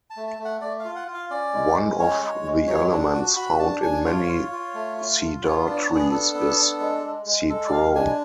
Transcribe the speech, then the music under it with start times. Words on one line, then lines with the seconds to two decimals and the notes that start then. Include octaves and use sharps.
One of the elements found in many cedar trees is cedrol.
0.10 A5
0.17 A3
0.27 A5
0.39 A3
0.45 F#5
0.61 A3 D5
0.79 F5
0.84 F4
0.96 F#5
1.08 F4
1.14 F5
1.31 C#4 D5
1.53 G#3
1.77 C#4
1.99 G#3 C#5
2.22 G#3
2.45 G#3
2.67 F#3 C#5
2.92 D4
3.14 F#4
3.36 F#4 B5
3.59 D4 A5
3.83 D4 G#5
4.05 F4 C#5
4.29 F4
4.52 F4
4.74 A3
4.98 F4
5.21 F4
5.43 B3 C#5
5.66 D4 D5
5.77 C#5
5.89 B3
5.95 G#4
6.11 D4 A4
6.34 B3
6.58 D4
6.80 G#3
7.03 G#3
7.26 G#3
7.49 G#3 A4
7.67 D5
7.72 G#3 F5
7.95 D4 G#5